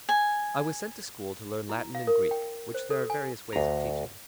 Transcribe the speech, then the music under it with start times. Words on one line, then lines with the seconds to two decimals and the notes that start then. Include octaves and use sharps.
I was sent to school to learn Latin and Greek, which there are various ways of teaching.
0.09 G#5
1.69 E4
1.95 F5
2.07 A#4
2.31 G5
2.74 C5
2.90 A4
3.10 G#5
3.53 D2 A#5